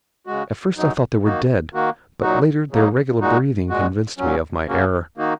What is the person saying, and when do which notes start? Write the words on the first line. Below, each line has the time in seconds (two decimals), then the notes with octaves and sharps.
At first I thought they were dead, but later their regular breathing convinced me of my error.
0.26 C#3 G#3 F#4
0.75 F#2 F#3 D#4
1.24 D#3 A#3 D#4 F#4
1.73 D#3 A#3 F#4
2.22 A#2 F#3 D#4 F#4
2.71 C#3 F#3 A#3 D#4
3.20 A#2 G#3 D#4 F#4
3.69 A#2 G#3 F#4
4.18 A#2 F#3 C#4
4.67 C#3 A#3 C#4 F#4
5.17 D#3 A#3 D#4 F#4